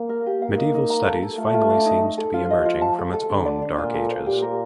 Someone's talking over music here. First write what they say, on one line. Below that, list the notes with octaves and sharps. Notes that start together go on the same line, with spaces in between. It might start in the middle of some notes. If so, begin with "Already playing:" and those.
Medieval studies finally seems to be emerging from its own Dark Ages.
Already playing: A#3
A#4
G4
A#3 F5
D#4
D#4
A#5
A4
A4
A3 F4
F4
D4
D#4
D#4
A4
F3 F4
D#5
F4
A5
A4
A4
D3 D4
D5
D4
A#2 F4
A4
C5
A#2 G4
A#4